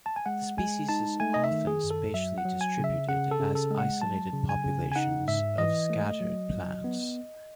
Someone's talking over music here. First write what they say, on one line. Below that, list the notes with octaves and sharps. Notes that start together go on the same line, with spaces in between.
The species is often spatially distributed as isolated populations of scattered plants.
A5
G#5
G#3 F#5
G#3 G#5
D#4 A5
A3 G#5
D#5
E5
D#3
G#4
F#2
A4
F#3 E5
F#5
F#3
G#5
C#3
E5
C#3 F#5
A4
C#3
A4
G#3
F#5
F#3 A5
C#3
G#5
C#3
G#5
D#4 F#5
G#2 E5
E3 D#5
A3
F#3
F#3
B3